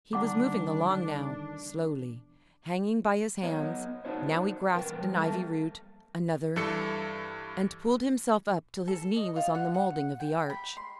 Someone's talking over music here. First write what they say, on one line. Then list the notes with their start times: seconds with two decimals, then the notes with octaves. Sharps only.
He was moving along now, slowly--hanging by his hands; now he grasped an ivy root--another--and pulled himself up till his knee was on the moulding of the arch.
0.13 E2 D3 D#3 G3 D4 F#5 A#5 D6
3.43 F#3 B3 C#5 D#5
4.05 D4 D#4 F#4 C5 C#5
4.73 B2 E3 A#4 B4 G5
4.97 F3 G3
5.20 A#3 A4 A#4 E5 A5
6.56 G2 E3 A4 C#7
8.88 A4
9.16 D#5
9.36 F4
9.55 F#5
9.74 F#5
10.20 G5
10.50 B5
10.77 C6